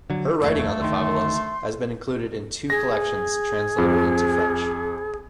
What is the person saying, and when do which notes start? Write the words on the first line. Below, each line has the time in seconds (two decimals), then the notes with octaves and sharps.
Her writing on the favelas has been included in two collections translated into French.
0.10 D3 F#3
0.41 F1 D#2 A3 C#5
0.80 D2 D#3 C6
2.70 G#4 A#6
3.78 F2